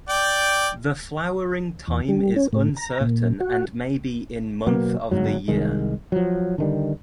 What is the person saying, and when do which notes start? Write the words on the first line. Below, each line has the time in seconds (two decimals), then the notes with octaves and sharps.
The flowering time is uncertain and may be in month of the year.
0.09 D5 G5
1.87 E2
2.08 G3
2.36 C#4
2.53 A2
2.76 A#5
3.01 A#2
3.40 F#4
4.67 B2 F#3 A#3 B3
5.11 G1 C2 G#2 F#3
5.48 C2 D#3 G#3
6.12 F3 F#3
6.58 D3 D#3 G3